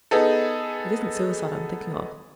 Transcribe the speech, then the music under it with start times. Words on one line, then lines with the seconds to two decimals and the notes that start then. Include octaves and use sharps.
It isn't suicide I am thinking of.
0.11 B3 D#4 G#4 A4